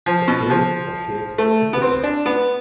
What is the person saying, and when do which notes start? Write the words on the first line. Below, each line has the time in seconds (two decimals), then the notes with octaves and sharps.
A trill, or shake a triplet.
0.06 F3
0.28 B2
0.50 F3
1.38 A3
1.73 B3
1.82 C4
2.03 D4
2.26 B3